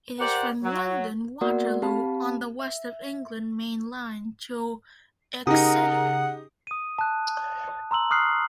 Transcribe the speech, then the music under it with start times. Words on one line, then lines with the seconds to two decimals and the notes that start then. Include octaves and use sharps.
It is from London Waterloo on the West of England Main Line to Exeter.
0.19 G4 A#4 C5 D5 F#5
0.63 F#3
1.41 A#3 B3 F#4 A#4 D5 F#5
1.82 C4 G4 F5 A5 B5
2.59 E5
5.47 C#3 D#4 G4 G#4 A#4 F#5 D#6
6.67 D#6 D#7
6.99 A5 F#6
7.91 A#5 C6 E6 F#7
8.10 C#6 D#6 F6 F#6 C7